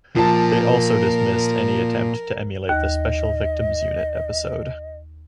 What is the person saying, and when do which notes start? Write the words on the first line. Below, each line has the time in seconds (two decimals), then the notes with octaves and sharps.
They also dismissed any attempt to emulate the "Special Victims Unit" episode.
0.16 A#2 F3 A#4 A5
2.69 D#2 D#5